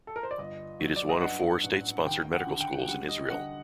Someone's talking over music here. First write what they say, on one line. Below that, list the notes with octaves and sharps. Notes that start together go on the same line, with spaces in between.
It is one of four state-sponsored medical schools in Israel.
A4
A#4
C5
D5
G1 D#5
F#3
D5
D#5
G2 F#5
A1
D#2 G5
F#5
D3
G5
G3 F#5
D#5
D3 F#5